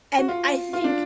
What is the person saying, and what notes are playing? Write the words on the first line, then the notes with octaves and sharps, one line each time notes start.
and I think
F#4
F4
F4
D4